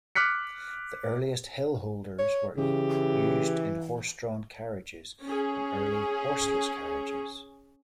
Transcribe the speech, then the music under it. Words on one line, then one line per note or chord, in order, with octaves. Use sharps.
The earliest hill holders were used in horse-drawn carriages and early horseless carriages.
D6 F6 F#6 B6 C#7
C#5
C#3 E3 G4
C#4 G#4